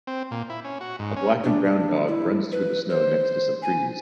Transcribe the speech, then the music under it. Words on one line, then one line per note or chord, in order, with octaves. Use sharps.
A black and brown dog runs through the snow next to some trees.
C4
A#2
E4
C#4
F#4
G#2
C#4
D4
D4
E4
B4
C5
G#5